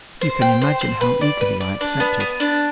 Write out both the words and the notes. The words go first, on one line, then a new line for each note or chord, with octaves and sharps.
You can imagine how eagerly I accepted.
C5
G5
C5
C5
B4
D5
B4
D5
D4
B3
B3
D4